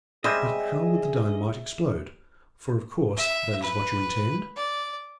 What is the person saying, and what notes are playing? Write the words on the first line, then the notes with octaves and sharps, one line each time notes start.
But how would the dynamite explode--for, of course, that is what you intend.
G3 G#3 C4 G#4 D#5 E5
E5
B4
D5